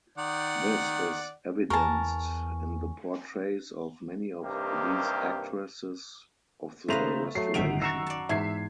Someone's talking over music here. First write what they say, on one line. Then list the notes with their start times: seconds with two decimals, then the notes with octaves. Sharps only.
This is evidenced in the portraits of many of these actresses of the Restoration.
0.18 D#3 D5 F#5
1.70 E2 A#4 G#5 A5 C#6
4.43 G2 C3 D#3 A#3 G4
6.88 C#3 A3 G#4 B4 C5 F5 A#5 F7
7.35 F#3 A3 C7
7.54 G1 F#2 A2 D#3 E5 F#5 D7 F7
7.82 F#5 A#5 C#6 E6 C7 E7
8.07 D5 A5
8.29 E2 G#2 E5 G#6 C7